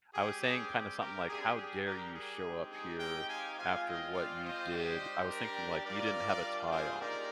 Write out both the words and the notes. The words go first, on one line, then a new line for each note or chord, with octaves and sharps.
I was saying kinda something, like, "How dare you show up here after what you did?" I was thinking, like, "You didn't have a tie on."
G3 C4 G4 G#4
G#4
G4 A#4
G3 D4 G4 G#4
G#4
G4 A#4
G#4
G#3 C4 D#4 G4
G#4
D#5 G5
F5 G#5
G#3 C4 F4 F5 G#5
D#5 G5
D5 F5
C5 D#5
G3 D4 G4
A#4 D5
G3 D4 F4 A#4 D5
G#4 C5
A#3 D#4 G4 A#4 D5